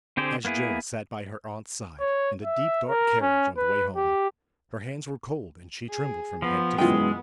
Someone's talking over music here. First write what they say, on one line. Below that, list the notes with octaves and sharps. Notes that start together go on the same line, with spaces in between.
As Joe sat by her aunt's side in the deep dark carriage on the way home, her hands were cold and she trembled from head to foot.
D3 C4 G4 G#4 C5
A#3 B3 E4 G#4
C#5
E5
A#4
C#4
B4
G4
G#4
F3 B3
F#2 B2 E3 G#3 F4 G5